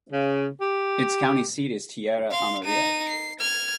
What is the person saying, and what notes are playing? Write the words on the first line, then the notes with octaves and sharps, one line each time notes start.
Its county seat is Tierra Amarilla.
C#3
G4
F5 C6
D#4 D#7
C7
F6 G#6